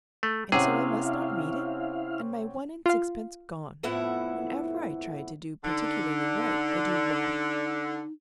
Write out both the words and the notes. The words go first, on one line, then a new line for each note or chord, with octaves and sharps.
And so I must not read it?--and my one-and-six-pence gone! Whenever I try to do particularly right, I do wrong.
A3
C3 C4 C#4 E4 G#4 F5 F#5
F4 F5
F2 A2 B3 E4 E5 F#5
D3 D#4